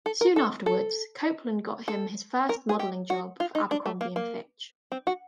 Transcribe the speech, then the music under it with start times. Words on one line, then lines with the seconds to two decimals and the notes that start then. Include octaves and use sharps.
Soon afterwards, Copeland got him his first modeling job for Abercrombie and Fitch.
0.06 A4
0.21 A#4
0.36 A4
0.66 A4
1.88 A4
2.49 A#4
2.69 G#4
2.79 G4
3.10 F#4
3.40 F4
3.55 D#4
3.71 D4
3.86 A3
4.01 A#3
4.16 A#3
4.92 C4
5.07 F#4